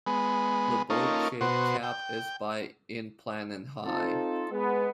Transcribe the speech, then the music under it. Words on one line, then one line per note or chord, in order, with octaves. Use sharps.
The boat-shaped cap is by in plan and high.
G#3 B3
A#3 C#4 D#4 F4 A4
B2 F#4 C5
G5
C4 D#4 F4 A4
G#3 B3